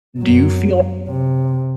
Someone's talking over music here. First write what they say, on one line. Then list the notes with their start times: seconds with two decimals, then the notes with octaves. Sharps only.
do you feel
0.20 F#2 F#3
1.09 C3